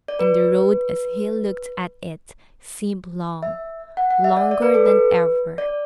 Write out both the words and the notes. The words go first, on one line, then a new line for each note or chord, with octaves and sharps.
And the road, as he looked at it, seemed long--longer than ever.
D5
B4
E5
F#5
F#5
E5
D5
D5
B4
A4
B4
D5